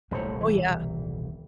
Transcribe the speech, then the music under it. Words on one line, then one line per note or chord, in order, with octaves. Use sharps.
Oh, yeah.
D#1 C2 A2 F#3 G3 C5 C#5
B1 E3